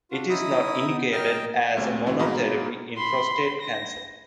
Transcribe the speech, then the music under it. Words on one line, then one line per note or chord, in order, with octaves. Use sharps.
It is not indicated as a monotherapy in prostate cancer.
D4 F4 F#4
C#4 D#4 E4 B5 D#6
B3
A#4 D#5 G5 F6
D2 C3 A3 A#3 C4
E3 C4 E4 F#4
G#2 B2 G#3 F5 A#5 B5
B5 C6
A#6